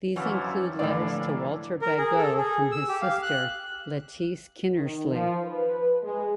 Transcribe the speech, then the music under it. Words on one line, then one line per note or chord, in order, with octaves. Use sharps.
These include letters to Walter Bagot from his sister Lettice Kinnersley.
F2 E3 F#3 C#4 G4 D5
A2 D3 E3 F3 A#3 D5
A#4
G#4
A4
G#4
E6
G4
F5
F#6
D#3
F3
B4
G#3